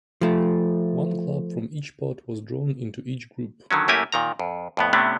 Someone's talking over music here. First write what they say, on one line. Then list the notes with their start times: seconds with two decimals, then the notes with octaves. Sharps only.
One club from each pot was drawn into each group.
0.21 F3 A3
3.71 D3 D#3 F#3 C#4
3.88 F#2 A3 A#3 E4 G4 G#5
4.12 A#2 D#3 A#5
4.39 F2
4.77 F2 A2 B3
4.93 A2 C3 A3 B3 C#4 D4